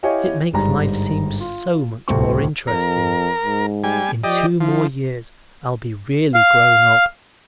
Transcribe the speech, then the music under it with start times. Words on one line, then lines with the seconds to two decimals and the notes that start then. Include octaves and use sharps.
It makes life seem so much more interesting. In two more years I'll be really grown up.
0.03 E4 G4 C#5 D#5 F5 G#5
0.53 G1 G#2 G3 A#5
1.40 F4
2.08 D1 C2 A3 C4 C#6
2.67 F2 A#4
3.43 G#2
3.84 G3 G#5
4.24 F3 G4 D5 D#5
4.60 F3 E4
6.35 F5